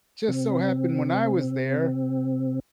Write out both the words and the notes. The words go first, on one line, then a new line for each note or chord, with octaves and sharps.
just so happened when I was there,
C3 C4